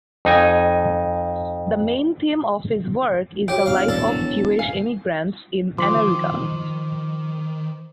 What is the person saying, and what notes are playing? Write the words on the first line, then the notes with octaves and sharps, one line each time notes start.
The main theme of his work is the life of Jewish emigrants in America.
F2 D#4 G#5
F#4 G4 C#5 G5 D7
E1 F5
A4 D5
F3 F#3
F5 G#5
D#3 F3 C5 C6 D6